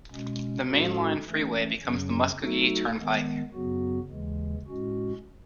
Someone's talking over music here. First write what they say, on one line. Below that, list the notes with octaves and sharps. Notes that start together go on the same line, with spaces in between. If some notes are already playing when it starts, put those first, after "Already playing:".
The mainline freeway becomes the Muskogee Turnpike.
B2 G#3 C#4
A2 G#3 C#4 F#4 A4
E3 A3 C#4
F#2 C#3 F#3 C#4
F#3 A3 D#4 F#4 A4
D#3 G#3 B3
F#2 C#3 F#3 B3 F#4
D#2 C#3 E3 G#3
A2 G#3 C#4 F#4